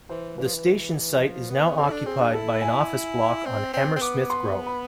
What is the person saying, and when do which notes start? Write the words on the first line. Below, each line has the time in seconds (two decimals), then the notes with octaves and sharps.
The station site is now occupied by an office block on Hammersmith Grove.
0.09 E3 C5
0.38 E3 B4
0.45 F3
0.54 E3
1.22 F3
1.50 B3
1.78 C4 A4
1.88 E4
1.92 D4
2.06 C4 G#4
2.20 D4
2.34 E4 A4
2.62 G#5
3.46 C4
3.73 C4
3.96 C4
4.01 B3 D6
4.30 C6
4.67 B5